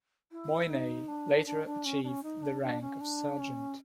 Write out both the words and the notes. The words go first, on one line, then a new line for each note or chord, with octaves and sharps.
Moyney later achieved the rank of sergeant.
E4
D#4
D4
D4
D4
C#4
D4
C#4
D#4
D4
D4
C#4
D4
C#4